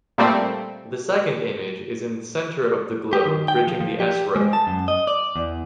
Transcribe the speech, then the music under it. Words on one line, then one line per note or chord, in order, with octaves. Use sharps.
The second image is in the centre of the globe bridging the "S" road.
A#2 G3 A3 C4
G4
D#3
G5
F3
F3
G4
G#3
A5
F#2
D#5
D5
E2